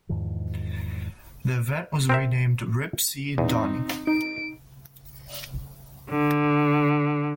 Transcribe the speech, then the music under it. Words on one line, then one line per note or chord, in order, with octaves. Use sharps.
The event was renamed Ripspeed Donny.
E2 G#2 D#3 F3
C4 A#4 E5
E2 C4 D#4
D#4 D7
D3